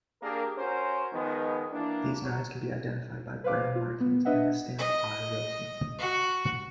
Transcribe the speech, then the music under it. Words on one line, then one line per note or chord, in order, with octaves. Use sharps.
These knives can be identified by brand markings and the stamp I. Wilson.
A#3 D4 G4 G#4 A#4
C#4 F#4 A#4 C5
D#3 F3 G#3 B3
E3 A#3 D4
F#3
B4 C5 F5 D6
F4
B3
D4 B4 D#5 E5 F#5
D#5
F#4